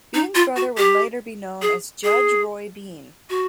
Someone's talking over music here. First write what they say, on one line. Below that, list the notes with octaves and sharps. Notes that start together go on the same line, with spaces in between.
Bean's brother would later be known as Judge Roy Bean.
D#4
F4
F#4
G4
G#4
G#4
F#4